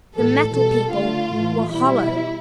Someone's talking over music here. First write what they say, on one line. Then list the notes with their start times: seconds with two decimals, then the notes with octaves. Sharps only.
The Metal People were hollow!
0.14 A2 E3 G3 A4
0.54 B2 G3 A4
0.93 D3 A3 F4
1.33 A2 E3 A3
1.73 B2 G3 E4